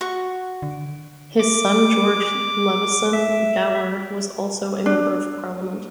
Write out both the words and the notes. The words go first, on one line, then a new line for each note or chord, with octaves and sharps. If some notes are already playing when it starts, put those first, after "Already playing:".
His son George Leveson-Gower was also a Member of Parliament.
F#4 C#6
D3
D6
E5
D4